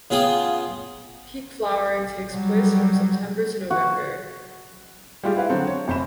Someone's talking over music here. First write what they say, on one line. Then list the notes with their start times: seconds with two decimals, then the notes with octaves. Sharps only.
Peak flowering takes place from September to November.
0.10 C#3 B3 F4 G#4 G5
2.33 F#3 G3
3.70 F#4
5.23 G3 G#3 F4 G4
5.36 E4 B4 F5
5.49 D3 F#3 C4 A4
5.67 C#5
5.88 F1 C4 C5 B5 E7